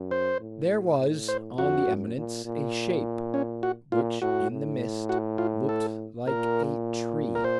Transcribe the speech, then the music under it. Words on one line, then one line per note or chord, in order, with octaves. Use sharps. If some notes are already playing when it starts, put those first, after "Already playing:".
There was on the eminence a shape which in the mist looked like a tree.
Already playing: F#2
C5
A2
A2
C5
F2 F#4
F#2
A#2
A#2
C#4
F#4
A#2 F4
A2 F#4
A2
F#4
F4
A4
A#2 A#4
A#4
C5